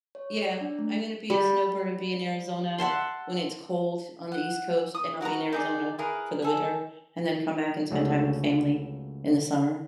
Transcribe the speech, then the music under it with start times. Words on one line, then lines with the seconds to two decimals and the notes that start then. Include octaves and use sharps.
Yeah, I'm gonna be a snowbird and be in Arizona when it's cold on the East Coast, and I'll be in Arizona for the winter, and then come back and spend time with family in the summer.
0.15 C#5
0.42 D5
0.61 D4
0.79 A3
1.30 G3
2.78 E5 F#5 A5 C6
4.32 F#5
4.95 D#6
5.21 F#4 A#4 B4 A#5
5.52 D#4 G#4 D5
5.98 E4 G#4 A#4 B4
6.42 A4 G#5
7.91 C#2 A3 F#4 G#4 C#5